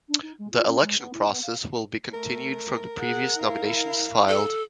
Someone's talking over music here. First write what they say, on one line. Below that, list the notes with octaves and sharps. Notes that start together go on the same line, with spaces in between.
The election process will be continued from the previous nominations filed.
D4
D#4
G#3
F4
C#4
G#3
B3
E4
B3
F5
A3 A#4
G#4 F#5
E4 F5
A4